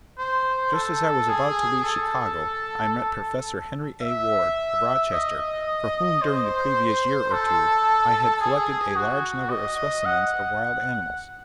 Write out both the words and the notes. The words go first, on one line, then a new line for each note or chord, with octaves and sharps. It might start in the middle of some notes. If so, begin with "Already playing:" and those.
Just as I was about to leave Chicago I met Professor Henry A. Ward, of Rochester, for whom during the previous year or two I had collected a large number of specimens of wild animals.
C5
A4
G#4
A4
E5
D#5
C5
A4
G#4
F#4
D#5
F#5